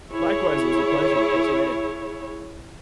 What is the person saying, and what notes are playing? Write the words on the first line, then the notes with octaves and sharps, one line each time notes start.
Likewise, it was a pleasure, catch you later.
E4 G#4 C#5